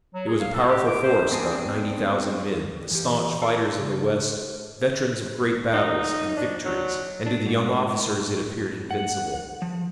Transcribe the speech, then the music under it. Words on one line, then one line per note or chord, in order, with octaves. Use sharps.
It was a powerful force, about ninety thousand men, the staunch fighters of the West, veterans of great battles and victories, and to the young officers it appeared invincible.
F#3
G#4
F5
A4
G4
D6
C5
B3 C4 D4 G#4
E3 G4
A4 F5
C#3
D#4
D4
F#3
D4
G#2
A2
F#5
F3